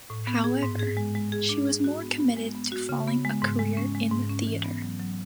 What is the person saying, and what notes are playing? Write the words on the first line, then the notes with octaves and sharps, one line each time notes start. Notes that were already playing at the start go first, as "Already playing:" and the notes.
However, she was more committed to following a career in the theater.
A2
B3
G#4
G#2
G#4
G#3
G#3
G#4
D4
G#4
F#4
B3
B3
G#3
B3
F#4
C#3
B3
G#3
G#2
G#3
C#4
G#3
G#2
C#4
E3
B3
F#3
F#3